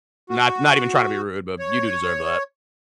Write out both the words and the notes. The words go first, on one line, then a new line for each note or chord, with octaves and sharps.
Not not even trying to be rude, but you do deserve that."
F#4
C#5